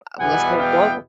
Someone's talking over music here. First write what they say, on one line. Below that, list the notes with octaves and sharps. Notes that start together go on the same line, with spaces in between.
a well, let's say global.
E2 B2 G3 B3 E4 F#5 G#5
F5 G5